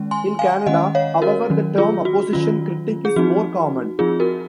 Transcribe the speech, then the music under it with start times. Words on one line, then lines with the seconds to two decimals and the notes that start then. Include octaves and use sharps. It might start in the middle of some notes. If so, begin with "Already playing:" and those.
In Canada, however, the term Opposition Critic is more common.
Already playing: D#3 G#3 C#4
0.11 G#5 C6
0.39 F5 G#5
0.66 D#3 G#3 C#4 D#5 F#5
0.95 C#5 F5
1.22 F#4 A#4
1.50 D#3 F#3 C#4
1.78 F4 G#4
2.05 F#4
2.33 D#3 F#3 C#4 F4
3.05 G#4
3.16 F3 C4 D#4 F#4
3.99 F3 C4 D#4 F4 G#4
4.20 F#4 A#4